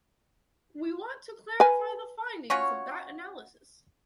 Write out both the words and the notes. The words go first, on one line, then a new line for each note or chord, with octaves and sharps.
We want to clarify the findings of that analysis.
B4 G#5
C#4 F4 F#4 C#5